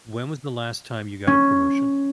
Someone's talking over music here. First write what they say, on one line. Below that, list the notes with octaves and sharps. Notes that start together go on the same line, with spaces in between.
When was the last time you got a promotion?
C#4